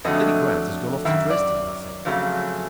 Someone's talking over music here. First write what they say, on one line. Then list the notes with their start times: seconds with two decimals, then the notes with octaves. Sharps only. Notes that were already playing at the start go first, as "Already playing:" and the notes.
"Lady Grant has gone off to Dresden," he said.
0.04 F2 D3 F#3 A3 D#5
1.05 F#2 D#3 E5
1.30 D5
2.05 F2 C#3 F#3 A3